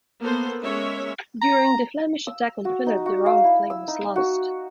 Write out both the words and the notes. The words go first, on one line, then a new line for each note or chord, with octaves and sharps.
During the Flemish attack on Philip, the oriflamme was lost.
A#3 B3 A4 C5
G#3 A#3 C#4 C#5 E5
A#5
E6
F#4
D#4
F#4
F5
E4
E6
D#4
F#4